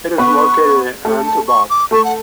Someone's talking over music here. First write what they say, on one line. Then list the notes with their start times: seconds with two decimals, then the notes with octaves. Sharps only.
It is located in Unterbach.
0.18 B3 B4 C#6
1.05 A3 A4
1.26 A5
1.48 C#6
1.70 D6
1.91 A3 A4 C#6
2.05 F#5